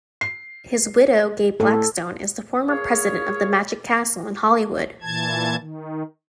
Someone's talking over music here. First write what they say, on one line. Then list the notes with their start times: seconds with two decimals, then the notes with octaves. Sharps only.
His widow, Gay Blackstone, is the former president of The Magic Castle in Hollywood.
0.21 C7
1.60 A2 A4
2.68 A#3 G#4 C#5 F5
5.02 A#2 E3 A5 G#6
5.57 D#3